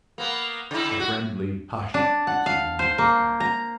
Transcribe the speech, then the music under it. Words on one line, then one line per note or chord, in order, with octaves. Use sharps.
A friendly "hush!" was the only response.
A#3 B3
C#3 E4
F#4
D4
F#5
F5
C5
A#3
A#5